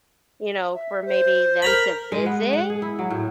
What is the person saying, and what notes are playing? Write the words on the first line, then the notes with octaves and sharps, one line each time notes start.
you know, for maybe them to visit.
E5
C5
A#4 A#5 B5
G#3
B3
F#5
G#4
E4
F#3
A2